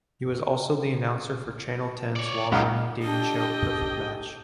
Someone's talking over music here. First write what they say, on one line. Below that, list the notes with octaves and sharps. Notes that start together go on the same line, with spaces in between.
He was also the announcer for Channel Ten's long-running dating show "Perfect Match".
C#5 D5
C#2 G#2 D#4 F5 F#5
D4 G4 A4 D#5 G5